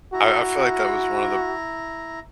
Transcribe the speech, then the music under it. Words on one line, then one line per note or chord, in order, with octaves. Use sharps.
I I feel like that was one of the
E4 F#4 A#5